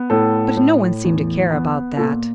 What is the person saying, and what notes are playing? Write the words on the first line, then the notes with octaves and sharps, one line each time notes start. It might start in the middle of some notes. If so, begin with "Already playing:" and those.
But no one seemed to care about that.
Already playing: B3
A2 A4
A2
E2
B3
A#2 A4